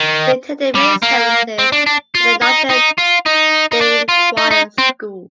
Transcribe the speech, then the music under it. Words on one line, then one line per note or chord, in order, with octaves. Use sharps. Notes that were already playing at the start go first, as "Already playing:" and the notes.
He attended many services at the Notre Dame Choir School.
Already playing: D#3
G3
A#3
C4
D4
D4
F4
D#4
D#4
F4
D#4
D#4
D4
F4
D#4
D#4
C4